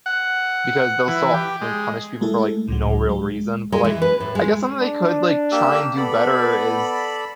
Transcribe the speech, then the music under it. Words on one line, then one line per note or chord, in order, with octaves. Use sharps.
because they'll so often punish people for, like, no real reason, but like, I guess something they could, like, try and do better is
F#5
E3
G4
G#3
G#3 A3 E4 A4
C#2 A2 F#3
G#3
G#3
E3
B4
A2
G#3
D4
A#3 G4 E6
B3 A4 D5 B5